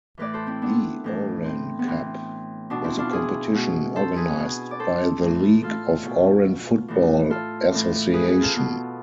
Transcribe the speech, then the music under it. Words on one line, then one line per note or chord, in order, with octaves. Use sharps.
The Oran Cup was a competition organized by the League of Oran Football Association.
A2 E3 B4 D5
A4 C5
C4 E4
B3 D4
A2 E3
C4
B3
A2 E3 C4
B2 B3 D4
C4 E4
D4 F4
E4 G#4
B2
A4 C5
G#4 B4
B2
D5
A4 C5
A2 E3
F4 A4
B2
A2 E3
F4 A4
A2 E3
G#4 B4
G#4 B4
F4 A4
B2 B3